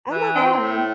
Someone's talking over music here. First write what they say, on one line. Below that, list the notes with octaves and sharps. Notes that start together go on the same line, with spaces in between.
Oh my god.
E3
C4
A2